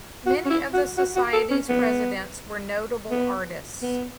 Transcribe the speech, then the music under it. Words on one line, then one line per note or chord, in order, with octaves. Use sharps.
Many of the Society's presidents were notable artists.
F#4
C#4
E4
F#4
F#4
F#4
A4
C#4
B3
B3
B3